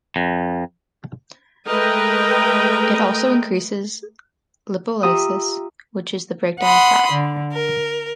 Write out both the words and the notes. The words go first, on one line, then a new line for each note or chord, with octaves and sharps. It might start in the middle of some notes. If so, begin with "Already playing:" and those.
It also increases lipolysis, which is the breakdown of fat.
F2
G#3 A3 A#4 B4 D#5 G5
F4 G4 E5 A#5 D#6
F#5 B5 C6 D#6
D3
A#4